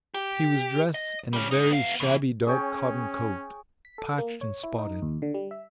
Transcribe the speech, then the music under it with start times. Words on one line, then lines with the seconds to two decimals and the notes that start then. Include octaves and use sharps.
He was dressed in a very shabby dark cotton coat, patched and spotted.
0.14 G4
0.94 D#5
1.33 G3 C#4
1.51 G#2 D#4
1.71 B3 F5
2.00 B2 E3
2.47 C#4 G#4 C#5 G5
3.85 B6
3.98 A4
4.18 A#3
4.41 C#5
4.63 E4
4.78 D#4
5.02 D#2
5.22 D3
5.34 G3
5.51 E5